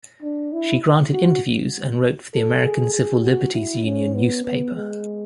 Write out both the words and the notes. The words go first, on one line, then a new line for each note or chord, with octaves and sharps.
She granted interviews and wrote for the American Civil Liberties Union newspaper.
D4
E4
F#4
A4
G#4
G#4
F#4
E4
C#4
B3
B3
G#3